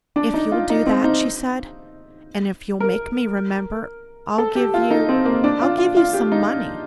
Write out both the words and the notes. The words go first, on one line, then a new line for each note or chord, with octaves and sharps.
"If you'll do that," she said, "and if you'll make me remember, I'll give you--I'll give you some money."
D4
D#4
F4
D#4
C4
D#4
A#4
A4
G4
F4
D#4
C4
A#3
D4
F4
F4
F4
G4
D#4